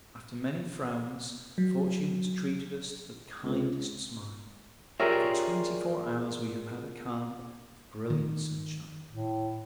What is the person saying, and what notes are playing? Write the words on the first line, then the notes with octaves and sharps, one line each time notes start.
After many frowns fortune has treated us to the kindest smile--for twenty-four hours we have had a calm with brilliant sunshine.
F#3
C#2
F4 G4 G#4 A#4 C#5 D5 E5
D#3
A2